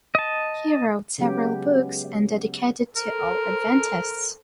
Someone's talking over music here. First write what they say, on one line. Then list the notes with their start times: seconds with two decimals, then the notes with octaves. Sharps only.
He wrote several Books and dedicated to all Adventists.
0.15 D#5 A5
1.18 C#3 F#3 G#3 B3 G4
2.97 A4 A#4 C5